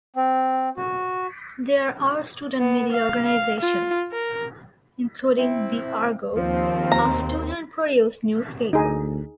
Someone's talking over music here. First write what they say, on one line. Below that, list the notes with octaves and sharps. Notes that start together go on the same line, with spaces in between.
There are student media organizations, including the "Argo", a student-produced newspaper.
C4
F#4
B3
F5
F5
F4
A#4
C4 E4
D#2 F3 C4
A#5
D2 D#4 G#4